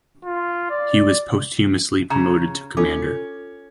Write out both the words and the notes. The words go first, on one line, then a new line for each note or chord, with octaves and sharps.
He was posthumously promoted to Commander.
F4
D5
C#3 A#5
C#4 F4 A4 D6